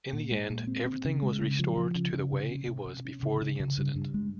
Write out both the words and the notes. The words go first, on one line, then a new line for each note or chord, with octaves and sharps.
In the end, everything was restored to the way it was before the incident.
A#2
G#3
A#2
C4
C4
C#3
G#3
C#3
F3
F3
C#3
C#3
C3
C#4
C3
C3
C#4
C#3
C#3
C#3
G2
G2
G#3